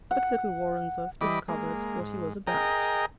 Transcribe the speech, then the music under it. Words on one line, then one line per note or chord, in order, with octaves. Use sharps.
But little Woronzow discovered what he was about.
F#5
E3 G3 D#5 B5 D6
G#3 A#3
G#2
G#4 A#4 D#5 G5 A#5